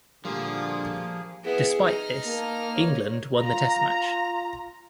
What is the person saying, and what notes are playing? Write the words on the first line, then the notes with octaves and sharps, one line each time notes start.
Despite this England won the test match.
A#2 D3 F3 G3 A#3 G#4
B3 E4 G#4
D#4 F6
A#3 A5
C#5
F4 A#5